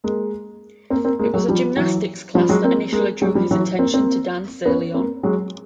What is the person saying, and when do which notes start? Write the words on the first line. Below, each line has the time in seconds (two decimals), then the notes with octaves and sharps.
It was a gymnastics class that initially drew his attention to dance early on.
0.04 G#3 A#3
0.90 A#3 C4
1.05 A#3 C4
1.19 G#3 A#3
1.34 F#3 G#3
1.48 F3 G3
1.77 E3 F#3
2.35 F3 G3
2.49 F#3 G#3
2.64 A#3 C4
2.92 G#3 A#3
3.22 F#3 G#3
3.35 F3 G3
3.51 E3 F#3
3.79 A#3 C4
3.93 A#3 C4
4.65 B3 C#4
4.94 A#3 C4
5.23 F#3 G#3